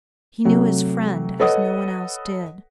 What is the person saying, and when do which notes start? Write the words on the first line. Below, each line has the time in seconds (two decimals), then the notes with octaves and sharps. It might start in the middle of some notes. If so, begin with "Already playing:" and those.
He knew his friend as no one else did.
0.45 C3 F#3 A3
1.40 A4 B4 C#5 D#5 F#5 D#6